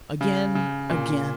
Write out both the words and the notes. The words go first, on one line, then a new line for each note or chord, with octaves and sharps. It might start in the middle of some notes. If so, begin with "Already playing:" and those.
Again! again!
C#3
C#3
A#2